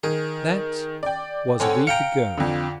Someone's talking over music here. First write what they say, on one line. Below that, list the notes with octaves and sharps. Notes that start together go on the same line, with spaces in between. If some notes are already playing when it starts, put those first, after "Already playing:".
That was a week ago.
D#3 G#4
D5 G5
D3 C4 C#4 F#5 G#5
F5 G5 A#5 C#7 D7
F2 D3